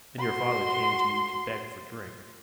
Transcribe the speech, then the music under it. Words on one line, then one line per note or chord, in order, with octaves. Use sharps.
And your father came to you to beg for drink.
F#4 C6